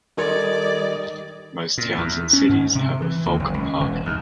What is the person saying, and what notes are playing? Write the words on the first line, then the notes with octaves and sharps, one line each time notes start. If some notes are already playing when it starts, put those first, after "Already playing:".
Most towns and cities have a folkpark.
D#3 G3 A4 A#4 D5 D#5 G#6
A#2
E2
C#4
G#2
C3
E3
D#2
F#1
C#2
E1
D#2